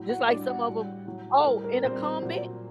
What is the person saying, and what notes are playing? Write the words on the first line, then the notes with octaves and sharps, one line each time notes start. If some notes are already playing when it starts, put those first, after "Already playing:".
just like some of 'em Oh, in a comment,
Already playing: A2 F#3
F#4 F#5
A2 G3 D4 D5
F#4 F#5
A2 G3
A2 F#3
A4
A2 G3 A#4
A#4
A#2 G3 C4 C5
A#2 F#3